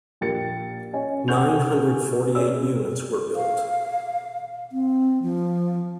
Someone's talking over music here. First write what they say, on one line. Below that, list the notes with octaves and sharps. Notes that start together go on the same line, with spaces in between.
Nine hundred forty-eight units were built.
A#1 G4 A#4 A6 C#7
C#4 C#5 D#5 G#5
F#5 G#5 C#6 G6 F7
C#4 G#4 D5 E6
F5
C4
F3